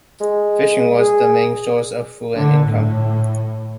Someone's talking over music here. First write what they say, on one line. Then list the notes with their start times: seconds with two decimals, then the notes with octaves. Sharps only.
Fishing was the main source of food and income.
0.21 G#3
0.98 G#4
2.36 D3
2.66 A2